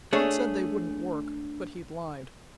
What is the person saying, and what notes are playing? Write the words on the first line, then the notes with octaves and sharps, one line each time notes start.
He'd said they wouldn't work, but he'd lied.
A3 D4 G#4 C#5